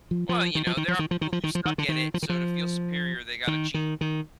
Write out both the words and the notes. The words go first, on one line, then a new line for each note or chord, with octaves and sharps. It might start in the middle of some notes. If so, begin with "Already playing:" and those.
Well, you know, there are people who suck at it, so to feel superior, they gotta cheat.
F3
F3
D#3
F3
D#3
F3
D#3
F3
D#3
F3
D#3
F3
D#3
D3
D#3
F3
D#3
F3
D#3
D#3
D#3